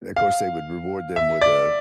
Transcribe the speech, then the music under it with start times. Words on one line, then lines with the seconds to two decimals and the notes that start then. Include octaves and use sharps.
of course, they would reward them with a
0.16 F5
1.16 E5
1.41 D5